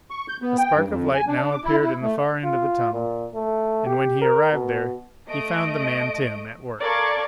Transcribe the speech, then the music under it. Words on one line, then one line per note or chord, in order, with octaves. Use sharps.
A spark of light now appeared in the far end of the tunnel, and when he arrived there he found the man Tim at work.
C#6
G6
B3
G5
G2
F2
G#5
D4
D6
E4
E4
A3
F4
A#2
A3
G4
A#4
B2
A3 D#5 D7
A4 A#4 D5 F5 C#6 G#6